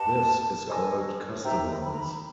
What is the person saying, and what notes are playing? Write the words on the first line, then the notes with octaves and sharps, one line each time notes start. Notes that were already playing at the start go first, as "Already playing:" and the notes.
This is called customize.
Already playing: G4 B4 D#5 F#5 A5
A4 C5 D#5 G#5
D#4 G4 C5 E5 G5 A#5
B5
A#5
B5